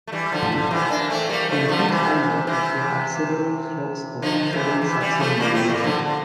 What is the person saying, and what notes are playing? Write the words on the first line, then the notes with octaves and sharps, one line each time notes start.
On Pitt Island there are several flocks of feral Saxon Merino sheep.
A3
E3 G3
D3 F3
D3
C3 E3
A#3 D4
A3 C4
G3 A#3
F3 A3
G3
D3 F3
C3 E3
C3 E3
D3 F3
C3 E3
C3 E3
E3 G3
F3 A3
G3 A#3
A3 C4
G3 A#3
D3 F3
D3